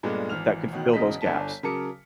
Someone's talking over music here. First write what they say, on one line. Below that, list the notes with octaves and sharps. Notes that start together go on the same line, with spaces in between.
that could fill those gaps.
G2 A#2 G#3 A3 B3 D4
G#1 E3 F6 F7
A1 B2 D#3
E1 C#3 D#5 B6
G1 D4 A5
C#3 F#3 A#4 A5 D6 C#7